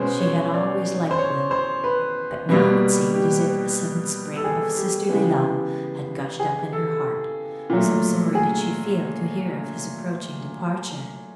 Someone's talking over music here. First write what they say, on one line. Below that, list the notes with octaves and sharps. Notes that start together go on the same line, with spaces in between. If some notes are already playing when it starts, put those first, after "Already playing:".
She had always liked Will; but now it seemed as if a sudden spring of sisterly love had gushed up in her heart, so sorry did she feel to hear of his approaching departure.
Already playing: B2 G#3 C#4 C5
C#5
D5
C5
C#5
C5
B4
B2 G3 A#3
G4
A4
G#4
G4
C#3 E3 G#3 B3 G4
G#4
A4
A#2 F#3 A3
G#4